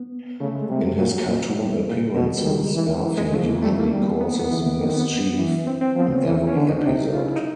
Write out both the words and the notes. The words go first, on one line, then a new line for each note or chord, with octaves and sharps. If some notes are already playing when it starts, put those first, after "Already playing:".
In his cartoon appearances, Garfield usually causes mischief in every episode.
Already playing: B3
C#3 A3
G#3
C3 G3
F#3
A#2 F#3
A#2
A2 G3
A#2
B2
G3
D#3 G#3
E3
E3
G#3
F3 A3
A#3
G#3
G3 A3
A#3
G3 B3
B3
A#3
B3
E3
D#3 A#3
C4
B3
E3
C4
C4
F3 B3
C#4
E3
C#4
D3 D4
D#4
D4
C3
D#4
C#3 F4
E4
D#4